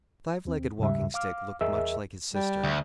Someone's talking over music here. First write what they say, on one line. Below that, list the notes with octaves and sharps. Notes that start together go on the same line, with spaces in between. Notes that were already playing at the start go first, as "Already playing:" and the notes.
The Five-Legged Walking-Stick looked much like his sister.
D#2 C4
D#2 G#2 C#3 G3 E5
F5 D6 F6
E2 G#4 A#4 D#5 E5 E6
G3
D2